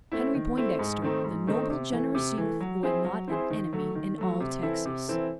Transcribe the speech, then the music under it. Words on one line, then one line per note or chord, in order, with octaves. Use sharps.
Henry Poindexter--the noble generous youth who had not an enemy in all Texas!
A3 C4 E4
D#3
A3 C4 E4
G#2
D#3 A3 C4 D#4
G#2
D#3 A3 C4 D#4
C3
E3 A3
C3
E3 A3
F#3
C4 E4 G#4 C5
F#3
C4 E4 G#4 C5
D#3
F#3 A3
D#3
F#3 A3
C3
E3 C4 E4 A4
C3
E3 C4 E4 A4